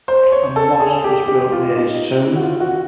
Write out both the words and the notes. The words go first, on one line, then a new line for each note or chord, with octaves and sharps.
A mosque was built near his tomb.
C5
C#5
A4
G#4
G4
G4
F4
D#4
E4
F#4
F4
F#4